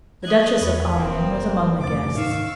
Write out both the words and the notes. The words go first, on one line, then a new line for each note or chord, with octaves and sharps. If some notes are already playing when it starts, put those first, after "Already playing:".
The Duchess of Omnium was among the guests.
D#5 F#6 G#6
E2 B4 C#5
E1 F2 A#3 C4 F5 G5 D#6
F1 D2 C3 D6 A6
G#2 D#3 F5 C#6 E6